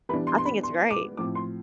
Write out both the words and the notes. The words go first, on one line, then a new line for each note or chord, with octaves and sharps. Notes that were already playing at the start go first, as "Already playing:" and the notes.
I think it's great.
E3 G3 B3 D4 B5
C6
C6
B5
C6
D6
A2 F3 C4 D6
C6